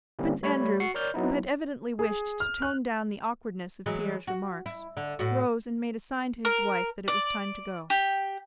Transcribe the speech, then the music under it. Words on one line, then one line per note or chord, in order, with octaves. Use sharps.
Prince Andrew, who had evidently wished to tone down the awkwardness of Pierre's remarks, rose and made a sign to his wife that it was time to go.
D3 G3 A#3 C4 C#4 E4
G3 A3 C#5 B5
F#4 C7 C#7
A#4 C#5 D5 F6 G6
F#3 B3 D#4 E4
G#4
F6
F#6
E3 F#3 G#3
F#4
E4
D3
A2 F#4
A#4
D5
G4